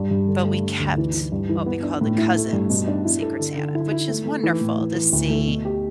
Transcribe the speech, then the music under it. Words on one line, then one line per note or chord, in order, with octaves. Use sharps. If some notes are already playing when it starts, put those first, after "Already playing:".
But we kept what we call the cousins' Secret Santa, which is wonderful to see
Already playing: G2
G2
D3
A3
D3
D2
E3
E3
G2
E3
B3
D4
A2
E4
A3
G2
B2
D4
E4
A4
D3
D3
E4
E4
A3
A3
E3
A2
E3
E3
D2
A3
B2
G4